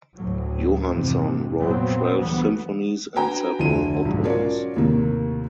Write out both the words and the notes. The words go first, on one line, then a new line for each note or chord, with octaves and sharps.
Johanson wrote twelve symphonies and several operas.
D2 A2 F#3
F2 G#2 C3 E3
A#2 F#3 B3 C4
D2 D3 E3 F#3 G3 B3
D4 F#4 B4 G5 G#5 A#5
F1 D2 D3 A3 E4 D#7
B1 G#2
C#4 F4 F#4 A#4 C#5 D5
D#2 A2 C3 A#3